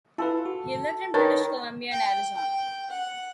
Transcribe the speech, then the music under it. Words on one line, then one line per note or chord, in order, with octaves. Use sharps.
He lived in British Columbia and Arizona.
E4 F4 A4 B4
F#4
D#3 A#4 B4 C#5 A5
G5
G5
F#5